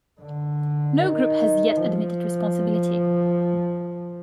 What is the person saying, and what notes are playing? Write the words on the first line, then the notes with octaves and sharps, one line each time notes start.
No group has yet admitted responsibility.
D3
D#3
F3